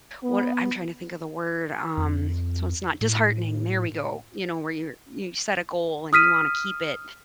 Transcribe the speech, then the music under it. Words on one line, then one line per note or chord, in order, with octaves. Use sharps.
what I'm trying to think of the word, um- so it's not disheartening- there we go. You know, where you're you set a goal, and you wanna keep it,
B3
F2
A2
D#6 F6 B6 D#7